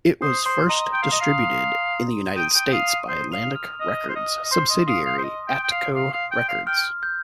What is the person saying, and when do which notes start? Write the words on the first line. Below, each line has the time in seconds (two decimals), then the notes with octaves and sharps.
It was first distributed in the United States by Atlantic Records subsidiary Atco Records.
0.22 C5 D#6
0.45 C5 C6
0.69 D#5 A#5
0.93 G5 C6
1.02 F5
1.12 D#5
1.21 F5
1.28 D#6
2.36 G5 D#6 D#7
2.55 G5
2.66 G5
2.72 F5 D#6 D#7
3.08 C5
3.32 F5 F6 F7
3.56 F6
3.80 D#5
4.09 C5
4.15 D#5
4.44 D#5
4.51 C5 C6
4.70 D#5
4.87 F5 D#6
5.05 F5
5.18 C5
5.23 D#5
5.48 G5
5.63 G5
5.71 F5
5.96 F5
6.13 F5
6.31 G5
6.48 F5
6.67 G5 F6
7.03 G6